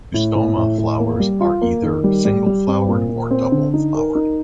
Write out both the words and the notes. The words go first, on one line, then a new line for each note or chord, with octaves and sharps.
"Eustoma" flowers are either single-flowered or double-flowered.
A2
A2
A2
A2
A#3
G3
F4
A#3
D#3
G3
G3
G3
C4
A#2
A#2
C4
D3
D#4
A#4
D#4